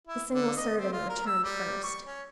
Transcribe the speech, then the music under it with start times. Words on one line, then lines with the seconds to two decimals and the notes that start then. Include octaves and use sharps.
The single servant returned first.
0.07 E4
0.32 D3
0.57 D#5
0.77 C4
0.92 F4
1.09 A#4
1.26 E6
1.44 G3
1.84 C#6
2.06 C#4